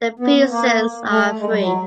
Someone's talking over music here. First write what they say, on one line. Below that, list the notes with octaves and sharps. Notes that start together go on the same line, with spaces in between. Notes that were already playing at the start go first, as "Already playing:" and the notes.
The peasants are free.
B3
A#3
A3
G#3
G3
F#3